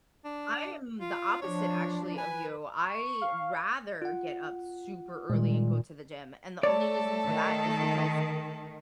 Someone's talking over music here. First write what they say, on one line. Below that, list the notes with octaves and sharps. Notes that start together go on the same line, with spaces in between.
I am the opposite actually of you, I rather get up super early and go to the gym, and the only reason for that is because,
D4
F4
F3 D4 C#5
B4 G#5
C#6
F5
F4 F#5
A#2 D#3 G3 G#3
A3 A4 C#5 D5 A5
D#3